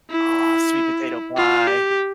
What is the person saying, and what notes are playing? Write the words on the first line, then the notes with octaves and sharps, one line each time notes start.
Oh, sweet potato pie.
E4
F4
G4